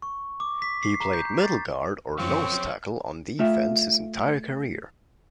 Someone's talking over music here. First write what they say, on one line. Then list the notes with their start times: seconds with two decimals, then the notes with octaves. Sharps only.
He played middle guard or nose tackle on defense his entire career.
0.02 C#6
0.40 D6
0.62 B6
0.83 C7
1.00 A#5
1.13 G6
1.40 A6
2.18 F#2 F3 C4 C#5 F5 C#6
3.39 A3 F4 E5